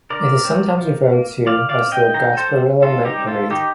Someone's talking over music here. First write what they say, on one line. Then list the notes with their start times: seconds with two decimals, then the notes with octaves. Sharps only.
It is sometimes referred to as the "Gasparilla Night Parade".
0.10 D3 A#4 D5
0.45 A3 C4
0.79 F3
1.12 A#3
1.46 F3 D5 F5
1.69 D5 F5
1.80 C4
1.92 D#5 G5
2.14 D#3 G5 A#5
2.37 A4 C5
2.49 G3 C4
2.82 D#3 F4 A4
3.05 D#4 G4
3.16 G3 C4
3.27 F4 A4
3.50 D#3 D#4 G4